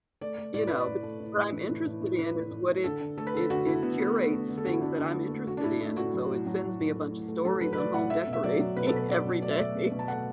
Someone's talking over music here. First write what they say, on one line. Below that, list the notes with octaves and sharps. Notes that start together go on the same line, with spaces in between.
You know, b where I'm interested in is what it it it curates things that I'm interested in, and, so, it sends me a bunch of stories on home decorating every day,
A3 D5
A3
A2 D5
A2 B4
D5
A2
A3
A2
A2
E3
A2
A2
A2
E3 B4
A2
A2
A2
D3 A4
D3
A3 A4
B4
D3 A4
D3 F#4
D3 E4
D3 B3
A3 B3
A3
D3
D3
A4
D3 F#4
E4
A3 D4
D3
A3
A3
A3 F#4
D4
A2 E4
A3 E4
A2 F#4
F#3
A2
F#3
A2
A2
A3
A2
A3
F#3 A4
F#3 B4
B4
A3 D5
A2 F#5
A3 E5
B2
E5
F#3 D5
F#3
B2 B4
A4
B2 B4
F#3 D5
F#3
A3 D5
E5
A3 D5
B2
B2
A5
A3 F#5